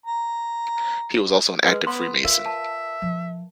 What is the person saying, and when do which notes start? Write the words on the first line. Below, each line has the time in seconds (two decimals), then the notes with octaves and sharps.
He was also an active Freemason.
0.06 A#5
1.64 G#3 B4
1.87 B3 C6
2.25 F4 A#4 E5 F5
2.46 A5
3.02 F3